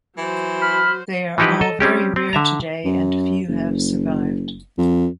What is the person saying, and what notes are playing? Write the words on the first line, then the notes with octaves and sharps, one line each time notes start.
They are all very rare today and few have survived.
E3 F#3 C5
B5 F6
E3 F3 D#4 E4 G4 B4
A4 D#5
G3 C4 C#4 G4
C4
D3 E5 A#5
F#2
F#1
F2